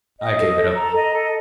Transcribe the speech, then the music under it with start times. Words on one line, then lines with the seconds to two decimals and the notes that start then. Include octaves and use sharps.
I gave it up.
0.20 D#5
0.38 A4
0.57 A4
0.75 A#5
0.94 D#5
1.13 A4